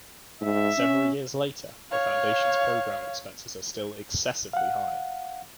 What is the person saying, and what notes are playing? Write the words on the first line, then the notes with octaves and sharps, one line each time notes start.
Several years later, the Foundation's program expenses are still excessively high.
G#2 E5
C#4
C#5 F5
F5 F#5